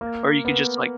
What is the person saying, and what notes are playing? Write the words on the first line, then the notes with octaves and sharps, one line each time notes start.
Or you could just, like,
A#3
B3